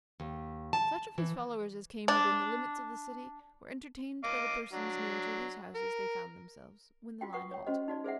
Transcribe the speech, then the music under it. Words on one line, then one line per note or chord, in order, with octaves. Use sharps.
Such of his followers as came within the limits of the city were entertained by the persons near to whose houses they found themselves when the line halted.
D#2
A5
E3
D4
D#5 F5 D6
F#3 D4
A#4
F4 F#4 G5
B4 F#5 C#6 D#6
C#5 G5
C#4 F#4 C5 D#5
D#4 F#4 D5
G#4 C5 D5 E5 F#5